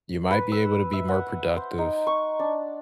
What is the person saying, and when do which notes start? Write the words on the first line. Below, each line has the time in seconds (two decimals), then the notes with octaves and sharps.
you might be able to be more productive,
0.31 B4
0.52 E6
0.93 E5
1.09 F#5
1.57 C5
1.78 D#4
2.07 C#6
2.39 D4